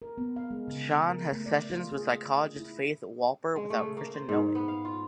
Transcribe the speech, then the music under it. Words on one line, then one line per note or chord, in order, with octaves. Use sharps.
Sean has sessions with psychologist Faith Wolper without Christian knowing.
A#4
B3
F5
G#3
C#3
A#4
A3
D5
F4
G#4
E4
G#3
A3
C#3
A#3
C5
G#2
B3
F5
F4